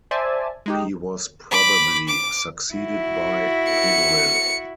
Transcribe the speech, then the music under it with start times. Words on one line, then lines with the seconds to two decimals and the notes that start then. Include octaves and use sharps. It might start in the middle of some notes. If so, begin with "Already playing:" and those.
He was probably succeeded by Peduel.
0.11 C5 D5 E5 G#5 A5
0.66 G#3 D#4 G4
1.51 B5 D6
2.08 D6
2.74 E4 F#4
3.72 C#7